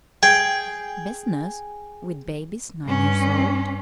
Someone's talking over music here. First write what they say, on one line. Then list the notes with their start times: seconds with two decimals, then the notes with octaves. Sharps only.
"Business!--with babies nine years old!"
0.23 G#4 G5
2.86 G2 C#4